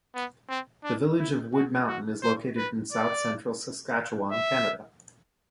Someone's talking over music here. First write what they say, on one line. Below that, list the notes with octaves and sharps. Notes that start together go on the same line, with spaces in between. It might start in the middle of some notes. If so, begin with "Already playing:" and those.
The village of Wood Mountain is located in south central Saskatchewan, Canada.
B3
C4
D4
E4
F#4
F#4
C5
B4
D5
E5